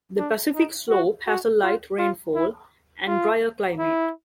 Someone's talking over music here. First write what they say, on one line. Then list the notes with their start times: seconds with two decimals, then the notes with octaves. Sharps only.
The Pacific slope has a light rainfall and dryer climate.
0.18 D4
0.54 D#4
0.90 F#4
1.27 F#4
1.63 F4
1.98 F4
2.35 E4
3.07 F4
3.78 E4